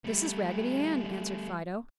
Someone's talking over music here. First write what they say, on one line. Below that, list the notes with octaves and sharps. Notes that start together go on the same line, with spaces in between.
"This is Raggedy Ann," answered Fido.
G3 A3